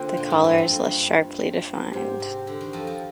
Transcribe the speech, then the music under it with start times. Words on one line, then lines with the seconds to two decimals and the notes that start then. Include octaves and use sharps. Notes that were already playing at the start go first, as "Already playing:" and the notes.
The collar is less sharply defined.
Already playing: D3 A#3 C4 F4 C5 G5
0.17 A#2
0.30 G#2
0.44 G2
0.58 F2
0.71 G2
0.85 G2
1.92 G#2 G4 C5 G5
2.20 C3
2.47 D3
2.61 D#3
2.73 F2 F3
2.87 F3